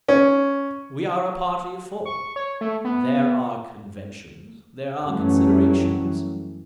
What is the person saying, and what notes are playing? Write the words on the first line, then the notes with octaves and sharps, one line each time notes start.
We are a party of four. There are conventions, there are considerations....
C#4
C#6
C#5
A3
B3
F#2 E3 F#3 G3 A3 C#4